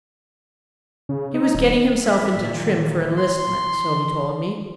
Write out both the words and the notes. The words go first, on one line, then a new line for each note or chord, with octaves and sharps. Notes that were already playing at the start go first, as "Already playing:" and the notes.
He was getting himself into trim for enlistment, so he told me.
C#3
D#4
D#1
G#2 E3 E5
A#2 D#3
E3 C6